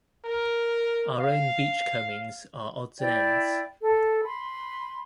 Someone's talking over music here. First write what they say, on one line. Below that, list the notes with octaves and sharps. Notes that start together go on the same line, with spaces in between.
Our own beachcombings are odds and ends.
A#4
F5
E4 D5 G5
A4
B5 C6